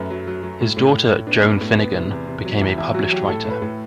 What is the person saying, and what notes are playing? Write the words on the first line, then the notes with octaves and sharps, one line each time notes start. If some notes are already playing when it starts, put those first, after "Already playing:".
His daughter Joan Finnigan became a published writer.
Already playing: F#2 F#3 A3 B4
F#3
F#3
F#3
A2
A2
A2
A2
B3 D4
B3
A2
B3
C3
E2
C3
F#3
E2 E4
E2 E4
F#3 F#4
F#3 G4
A2 A4
A2
B4
A2